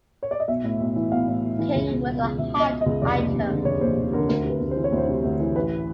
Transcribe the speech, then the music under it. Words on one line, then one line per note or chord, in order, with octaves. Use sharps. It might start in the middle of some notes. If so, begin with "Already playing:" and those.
King was a hot item.
C#5
D5
D#5
B1 E5
A2
B1
E3
B1 F5
A2
B1
E3
C#2
B2
B2
C#2
C#2 E5
B2
D#5
B2
D#5
C#2
F1 D5
D#2
F1
D3
F1 C#5
D#2 C5
F1
D3 A#4
D2 A#4
C3
B4
D2
C5
E3
C#5
D2
C5
C3
D2
E3
A1 B4